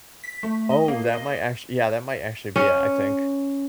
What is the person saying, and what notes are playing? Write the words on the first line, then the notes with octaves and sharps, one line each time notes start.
Oh, that might act yeah, that might actually be it, I think.
B6
A3
D#5
A#3
D#5
C#4